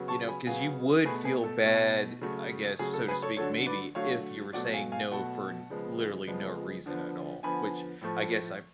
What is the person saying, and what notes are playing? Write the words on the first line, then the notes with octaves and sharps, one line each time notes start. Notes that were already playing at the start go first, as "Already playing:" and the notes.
you know, 'cause you would feel bad, I guess, so to speak, maybe, if you were saying no for literally no reason at all, which I guess, I
Already playing: C#3 F#3 B3
A5 C#6
G#5 B5
C#3 F#3 B3 F5 G#5
B2 A3 G#4 B4
G#4 B4
A4
B2 A3
C#3 F#3 A3
C#3 F#3 A3 G#4
A4
G#4 B4
A4 C#5
D3 F#3 A3 A4 C#5
B4 D5
D3 F#3 A3 C#5 F5
B2 F#3 A3 D5 F#5
F5 G#5
F5 G#5
B2 F#3 A3 F#5 A5
C#3 F3 G#3 B3
C#3 F3 G#3 B3
D3 F3 B3
D3 F3 B3 G#5 B5
A2 F3 A3